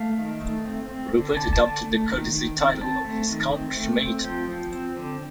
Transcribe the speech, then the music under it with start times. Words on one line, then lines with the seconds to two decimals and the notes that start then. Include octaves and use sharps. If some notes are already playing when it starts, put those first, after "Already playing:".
Rupert adopted the courtesy title of Viscount Trematon.
Already playing: A3 F5
0.18 D#3
0.41 A3
0.65 C4
0.89 C4
1.13 D3
1.37 D3 A5
1.53 A5
1.62 D3
1.84 A3
2.09 D#3
2.33 D#3
2.57 C4
2.81 C4 A5
3.04 A3
3.29 D#3
3.53 C4
3.76 A3
4.00 C4
4.24 F3 G5
4.49 F3
4.72 C4
4.97 D3